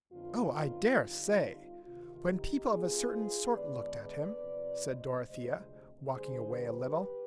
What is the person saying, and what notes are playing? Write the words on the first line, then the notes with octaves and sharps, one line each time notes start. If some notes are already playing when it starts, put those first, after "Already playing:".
"Oh, I dare say! when people of a certain sort looked at him," said Dorothea, walking away a little.
F2 D3 F3 B3 D#4 F4
D3 G3 C4 D#4 F4
D2 C3 D#3 F4
D#4 G4
G#2 F3 B3 F4 G#4
D3 G#3 B3 B4 D5
B4 D5
C3 F3 C4
C5 D#5
D2 C3 F3 G#3 C5 D#5
D2 D3 G3 G#4 C5
G4 B4